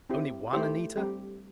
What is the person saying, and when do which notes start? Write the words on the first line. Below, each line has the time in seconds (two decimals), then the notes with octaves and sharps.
"Only one, Anita?"
0.10 C4 E4 G4
0.53 A3 E4 G4 C5
0.97 G3 C4 G4